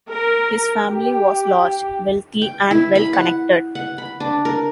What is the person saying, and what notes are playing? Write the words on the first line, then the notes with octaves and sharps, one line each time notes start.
His family was large, wealthy and well-connected.
A#4
G4
G5
E4
B5
F#5
F#5
B5
D4
A#4